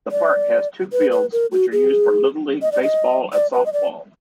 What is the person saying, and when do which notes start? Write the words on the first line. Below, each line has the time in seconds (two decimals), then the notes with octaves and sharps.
The park has two fields which are used for little-league baseball and softball.
0.11 D5
0.92 B4
1.12 B4
1.32 A#4
1.52 F#4
1.72 G#4
2.62 D#5
2.72 D5
2.83 D#5
3.33 D5
3.53 B4
3.66 D#5
3.73 D5